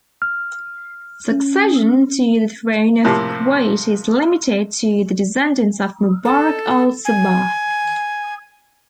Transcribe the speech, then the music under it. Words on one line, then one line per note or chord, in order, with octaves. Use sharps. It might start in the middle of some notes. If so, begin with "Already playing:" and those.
Succession to the throne of Kuwait is limited to the descendants of Mubarak Al-Sabah.
F6
C#4
A2 C3 F3 A#3
A4
G#5